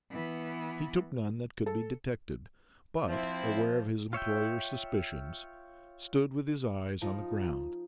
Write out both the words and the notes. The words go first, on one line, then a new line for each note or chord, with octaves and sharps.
He took none that could be detected, but, aware of his employer's suspicions, stood with his eyes on the ground.
E3 B3
A4
F3 C4 E4
F4 C#5 E5 G5
F3 D#4 F4